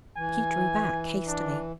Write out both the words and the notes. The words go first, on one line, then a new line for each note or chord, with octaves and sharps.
She drew back hastily.
E3 G#5
D4